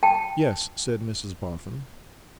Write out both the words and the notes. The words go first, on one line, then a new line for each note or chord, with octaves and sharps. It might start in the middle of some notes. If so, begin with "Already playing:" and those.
'Yes,' said Mrs Boffin.
G5 A5